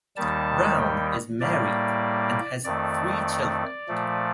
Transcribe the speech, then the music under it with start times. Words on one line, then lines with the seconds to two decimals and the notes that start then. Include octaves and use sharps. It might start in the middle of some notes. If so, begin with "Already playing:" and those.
Braun is married and has three children.
0.16 D#2 D#3 G3 A5
0.79 G5
1.41 A2 G3 A#3 D5
2.64 F2 D#3 A3 D5
3.89 A#2 F3 A3